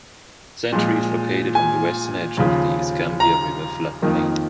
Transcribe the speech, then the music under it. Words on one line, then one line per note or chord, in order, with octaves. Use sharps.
Century is located on the western edge of the Escambia River floodplain.
A#2 F3 G#3
G#5
D#2 C#3 F3
A#5
F2 D#3 A#3